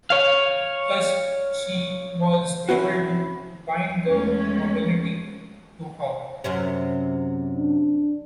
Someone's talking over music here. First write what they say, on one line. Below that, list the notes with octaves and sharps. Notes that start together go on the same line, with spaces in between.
Thus she was able to bind the nobility to her.
C#5 F5
C4 C#4 E4 F#4
E2 G#3 A3 C#4
F#2 C3 C#4
D4